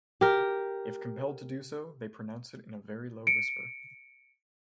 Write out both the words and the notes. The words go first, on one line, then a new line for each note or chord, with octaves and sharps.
If compelled to do so, they pronounce it in a very low whisper.
G4 A#4
C#7 D7